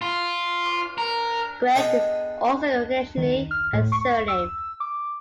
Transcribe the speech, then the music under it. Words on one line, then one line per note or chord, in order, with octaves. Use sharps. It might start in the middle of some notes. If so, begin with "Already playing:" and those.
Greg is also occasionally a surname.
F4
A#4
B3 G#4 A4 D#5 G5
D#3
F6
A2
C#6
E6
D6